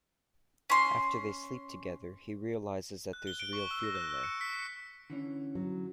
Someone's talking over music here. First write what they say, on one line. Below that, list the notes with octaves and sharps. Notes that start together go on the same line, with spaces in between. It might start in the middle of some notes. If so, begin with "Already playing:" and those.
After they sleep together, he realises that there's real feeling there.
C#4 C6
F#6
G7
D7
C#6
E6
A#6
F#6
E6
C#7
B6
C#7
D3 E3 C#4
F#3